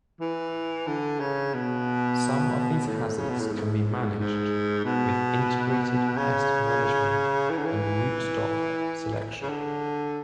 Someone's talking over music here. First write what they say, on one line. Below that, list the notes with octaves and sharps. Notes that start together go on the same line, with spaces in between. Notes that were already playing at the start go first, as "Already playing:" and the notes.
Some of these hazards can be managed with integrated pest management and rootstock selection.
E3
D3
C#3
B2
A2
C#3
B2
A2
G#2
G#2
B2
C#3
E3
D3
E3
C#3
D3